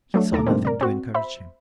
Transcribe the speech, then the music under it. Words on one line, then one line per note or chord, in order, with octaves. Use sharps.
He saw nothing to encourage him.
F#3 A3 D4
D#2 A2 A4 A#5 D6
G2 A#2 D#3 A3 C4
A#4 D5
C4 F#4
C5 E5 B5